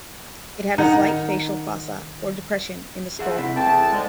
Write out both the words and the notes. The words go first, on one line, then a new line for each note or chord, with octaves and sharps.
It had a slight facial fossa, or depression, in the skull.
D#3 D#4 F#5 A#5
G#4 E5 F#5
C3 C4 E4
E2 A3 G5 A5
G#2 D3 G#3